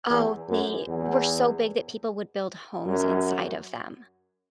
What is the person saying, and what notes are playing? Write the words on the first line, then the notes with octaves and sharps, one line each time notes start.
Oh, they were so big that people would build homes inside of them.
E2
F#2
E2
F#2